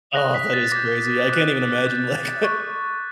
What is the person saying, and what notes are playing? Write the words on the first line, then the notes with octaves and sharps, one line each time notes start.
Oh, that is crazy. I can't even imagine like,
D#6 F#6 A#6
B6
A6
A6
D6 G6 A#6
D6 F#6
D6 G6 A6
C#6 F#6